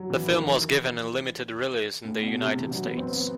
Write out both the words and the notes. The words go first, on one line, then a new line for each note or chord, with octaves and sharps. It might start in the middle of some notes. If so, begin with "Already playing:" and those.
The film was given a limited release in the United States.
Already playing: F#3
E3
D#3
A2
B2
C3
E3
F#3
B3
C4
B3